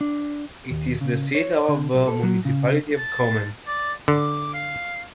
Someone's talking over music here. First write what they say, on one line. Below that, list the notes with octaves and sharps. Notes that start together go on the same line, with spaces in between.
It is the seat of the Municipality of Komen.
D4
D#2
C#3
C#5
D3
B1
A4
F#3
C#3
A5
D5
D3 D6
F5